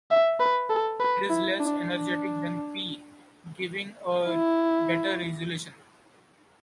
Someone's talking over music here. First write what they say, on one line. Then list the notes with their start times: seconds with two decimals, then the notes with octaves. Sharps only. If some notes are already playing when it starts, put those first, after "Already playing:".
It is less energetic than P, giving a better resolution.
0.11 E5
0.40 B4
0.70 A4
1.00 B4
1.30 E4
1.60 D4
1.90 D4
4.28 E4